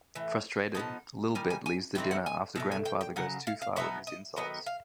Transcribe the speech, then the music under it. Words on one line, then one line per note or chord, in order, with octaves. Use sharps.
Frustrated, Li'l Bit leaves the dinner after Grandfather goes too far with his insults.
A2 E3
F3 G#3 B3 D#4 A5
D#3 G3 G#5
G#5
G#5
E3 A3 C4 D#4 G5
F#5
G#5
B2 F#3 A3
G#5
G5
G5
C#3 F#3 F#5
F5
F5
B2 F#3 B3 D#4 E5
D#5
D#3 F#3 B3 D#5
F5